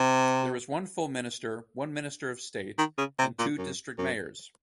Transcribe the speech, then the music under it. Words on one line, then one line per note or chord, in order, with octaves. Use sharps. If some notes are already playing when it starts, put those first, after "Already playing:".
There is one full Minister, one Minister of State and two district mayors.
Already playing: C3
D#3
C#3
C3
A#2
F#2
F#2